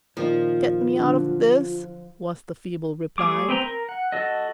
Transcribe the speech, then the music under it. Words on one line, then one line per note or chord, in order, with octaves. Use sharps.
"Get me out of this," was the feeble reply.
A#2 D#3 F3 F4
D3 F#3
G3 A3 G#4 D6
C4 B4 G5 A#5
A#4
F#5
F#4 A4 D#5